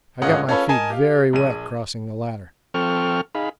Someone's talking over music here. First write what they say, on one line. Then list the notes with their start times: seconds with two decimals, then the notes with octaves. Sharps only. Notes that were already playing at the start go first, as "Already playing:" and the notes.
I got my feet very wet crossing the latter.
0.22 D1 G#2 C#4 F4 D#5 F#5
0.49 C#4 F4 A4 B4 C#5
0.69 A#4 D#5 G#5 A5
0.90 G4 F5
1.33 A#1 G#4 D#7
2.74 F3 C4 A4 G5 C#6 F6
3.35 D#4 G#4 F5 B5